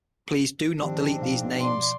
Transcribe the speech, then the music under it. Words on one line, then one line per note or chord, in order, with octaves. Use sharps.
Please do not delete these names.
G#2 D#3 F3 C4 D4 G4
B2 F3 F5
D5 C6